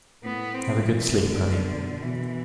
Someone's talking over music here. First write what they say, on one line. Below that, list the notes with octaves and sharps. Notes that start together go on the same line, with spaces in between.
Have a good sleep honey.
A2 B3
C4
B2
E3
D3
B2 E3